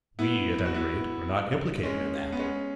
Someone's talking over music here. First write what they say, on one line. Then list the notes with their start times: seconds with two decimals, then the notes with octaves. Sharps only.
"We at any rate are not implicated in that."
0.19 B3 E4
0.65 F#4
0.74 B3 E4
1.83 G#3 C#4
2.32 B3
2.39 G#3 C#4